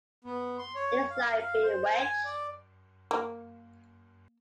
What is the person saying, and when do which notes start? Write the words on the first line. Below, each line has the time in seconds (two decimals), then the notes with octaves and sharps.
It is like bewitched.
0.25 B3
0.58 C6
0.75 C#5
1.10 F5
1.38 F5
1.63 C5
1.97 G#5
2.25 D5
3.11 A#3